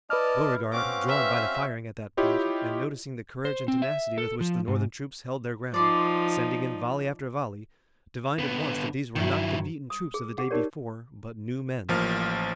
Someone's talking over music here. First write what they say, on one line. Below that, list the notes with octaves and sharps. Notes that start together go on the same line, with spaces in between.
Beauregard, drawn by the firing at that point, and noticing the courage and tenacity with which the Northern troops held their ground, sending in volley after volley, divined at once that these were not the beaten troops of the day before, but new men.
E4 B4 D5 D#5 A5 F6
C4 C#4 F#4 F5 D6
E5
E4 F4 G4 C#5 D#5
C5
C4
E5
A4
F3
G#2
F3 D#4 D5 C6
D3 B3
G2 D#3 F#3 E4
D#6
G#4
G4 G#4 F#5
D#4 G4 A#4 C#5 D5
A1 F3 A#3 F6